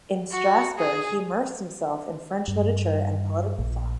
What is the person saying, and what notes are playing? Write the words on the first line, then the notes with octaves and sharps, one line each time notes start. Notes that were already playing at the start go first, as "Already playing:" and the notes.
In Strasbourg, he immersed himself in French literature and political thought.
F#4
G#4
G2
A#1